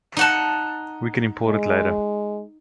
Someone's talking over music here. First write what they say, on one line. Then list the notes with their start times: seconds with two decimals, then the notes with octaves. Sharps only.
We can import it later.
0.17 D#4 F#5 A5
1.46 G#3